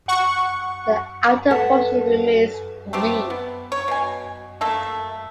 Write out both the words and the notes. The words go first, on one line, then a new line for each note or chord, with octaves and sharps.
The outer portion remains green.
F#5 C#6
A4 B4 E5 F#5 A5
A3 B3 C4 G4
B3
C#5
B2 G#5
A3 A#3 A4